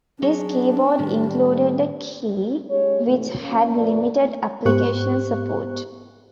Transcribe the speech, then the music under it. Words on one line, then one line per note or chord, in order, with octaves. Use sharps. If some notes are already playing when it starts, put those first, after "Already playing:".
This keyboard included a key which had limited application support.
F#3 C4 D4 G#4 C#5
A2 D#3 G3
G#3 C#4 G4 C#5
G#2 C3 E3 A3
A#3 C#4
F2 A#2 A3 A#4 B4 D5
G#2 B3 G4 C5 C#6 F#6